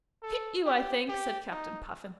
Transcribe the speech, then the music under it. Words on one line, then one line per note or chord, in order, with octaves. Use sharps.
"Hit you, I think," said Captain Puffin.
A4
G4
G4
D#4